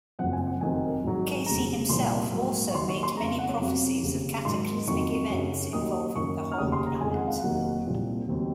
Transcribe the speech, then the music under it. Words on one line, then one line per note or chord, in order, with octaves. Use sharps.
Cayce himself also made many prophecies of cataclysmic events involving the whole planet.
F#1 F#2 F3 C4 F#5
G#5
F#5
F1 F2 D#3 F#3 C4 G#5
G#1 G#2 F#3
F1 D#2 C#3 F#3 A#5
C2 A#2 F3 C6
G#2 F#3 A#3
C#6
D#2 D#3 F#3 C6
C#6
C6
F2 C#3 G#3 A#5
F5
F#5
C#5
F2 C3 F#3 C4
F1 D#2 C#3
G#2 D#3 F#3 C6
F2 D#3 F#3 C4 C#6
F#2 C#3 F#3 C#4
D#2 D#3 F#3 D#6
F#2 D#3 A#3 C#4 C#6
F6
F1 D#2 C#3 D#6
C6
A#5
F1 F2 D#3 G#3 G#5
F#5
F5
F1 D#2 D#3 F#3 A#3 F#5
C2 A#2 F3 C4
D#2 D#3 F#3 C4